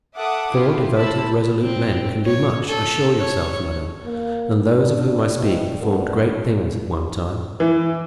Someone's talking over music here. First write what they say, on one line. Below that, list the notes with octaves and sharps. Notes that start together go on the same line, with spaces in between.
"Four devoted, resolute men can do much, assure yourself, madame; and those of whom I speak performed great things at one time."
A4 E5 F#5 D6 D#6
E4 F4 G4
E4 C5 A5 B5 E6
C4
C#5
A4
C#5
A#3
D4
E3 G3 A#3 C4 D#4
A#1 F#2 G3 B3 A4
E3